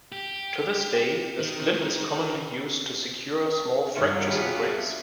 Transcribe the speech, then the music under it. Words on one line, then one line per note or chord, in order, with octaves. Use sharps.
To this day, the splint is commonly used to secure small fractures and breaks.
G4
D#3
G2 D#3 F4 F#4 C#5 E5 F5
B3 D4 F4 G4 G#4 B4